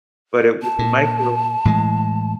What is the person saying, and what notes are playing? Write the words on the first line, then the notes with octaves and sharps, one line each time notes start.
but it was a micro
A5
A#2
A2 E3 G#3